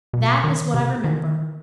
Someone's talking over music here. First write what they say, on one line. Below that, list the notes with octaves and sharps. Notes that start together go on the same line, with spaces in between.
That is what I remember.
B2
D#3
C3
D#3